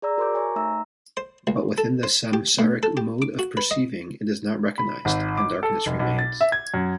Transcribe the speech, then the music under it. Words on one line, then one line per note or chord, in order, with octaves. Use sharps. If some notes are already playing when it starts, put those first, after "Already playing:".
But within the samsaric mode of perceiving, it is not recognised, and darkness remains.
G#4 D5 A#5 E6
F#4 A#4 C5 C6 D6 G6
C#5 G#5 A#5 C6 C#6
A3 D#4 E5 A#5 E6
C5
C#2
A4
C5
G4
A2
A4
G4
D6
F#4
B4
D#5
B5
G#1
D6
A4
F1
B1
A6
E5
G#6
F#2